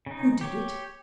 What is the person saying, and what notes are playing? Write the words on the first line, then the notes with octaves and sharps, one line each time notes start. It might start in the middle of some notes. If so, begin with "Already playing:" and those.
Who did it?
C#3 D#4
G4 C#5